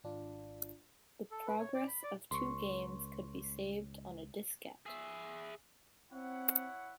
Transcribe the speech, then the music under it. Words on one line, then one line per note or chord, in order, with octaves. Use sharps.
The progress of two games could be saved on a diskette.
G#1 D4 F4
A4
B4
C#5
D5
B5
D5
C#2 C6 C#6
G#4 E5
C4 E4 C#5 F#5